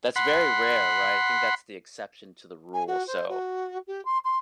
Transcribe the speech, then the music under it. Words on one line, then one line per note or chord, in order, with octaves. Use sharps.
that's very rare, right? I think that's the exception to the rule. So
F#5 B5 C6
G#5
F#4
C5
F#4
G4
C6
C6